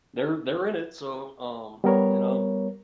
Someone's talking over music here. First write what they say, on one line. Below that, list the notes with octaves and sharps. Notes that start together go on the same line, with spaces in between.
they're they're in it. So, um, you know?
G3 B3 A#4 C#5